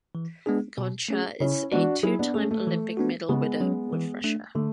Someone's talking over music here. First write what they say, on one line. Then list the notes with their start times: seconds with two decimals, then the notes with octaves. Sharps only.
Gonchar is a two-time Olympic medal-winner with Russia.
0.15 E3
0.46 G#3 B3 D4 G#4
0.78 B2
1.09 A3 C#4 G#4
1.40 C#3 C#4 E4
1.72 E3 G#3 B3 D4 F#4
2.03 F#3 E4 G#4
2.19 B3 D4
2.34 A3 C#4 G#4
2.51 A3
2.67 E3
2.97 B3 D4 F#4
3.29 C#3 G#3 B3
3.60 F#3 C#4
3.93 E3
4.24 A3 D4
4.55 D3 A3